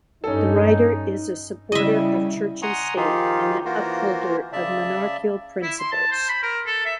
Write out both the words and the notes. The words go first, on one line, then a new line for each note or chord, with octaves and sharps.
The writer is a supporter of Church and State, an upholder of monarchical principles.
G2 C#4 D#4 A4
C#3 G3 E4 D#5 E5
F#5 G#5 A#5 C6 C#6 D#6
D#3 F3 D#4 F4 G4 G#4
E3 A#3 F4 F#4 A#4 C5
C#3 D5 E5 A5
E4
C6
A5
C5
B5
A#4
A4
E5